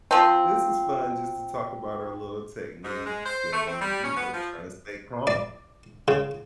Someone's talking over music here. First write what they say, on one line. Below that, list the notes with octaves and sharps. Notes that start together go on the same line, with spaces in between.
This was fun just to talk about our little techniques and, you know, trying to stay calm.
F3 C4
G#2
G#3
C5
A3
C4
G3
C#4
B3
F3
D5
C#3